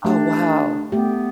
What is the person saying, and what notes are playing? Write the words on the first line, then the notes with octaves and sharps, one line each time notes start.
Oh, wow.
A3 D4 G4
A3 B3 G4